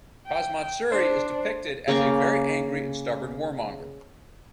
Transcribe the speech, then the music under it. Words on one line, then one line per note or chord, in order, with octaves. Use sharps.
Kazmatsuri is depicted as a very angry and stubborn warmonger.
G5
D4 C5
C#3 A#3 G5 C#6